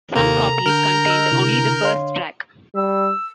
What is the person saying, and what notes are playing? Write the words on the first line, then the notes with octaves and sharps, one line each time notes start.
Some copies contained only the first track.
D#2 C3 A#3 A4 A#4 A#5
D3 A#4 F6 G6
D#5 E6
C3 E4
C#5 F5 C6
G3 E6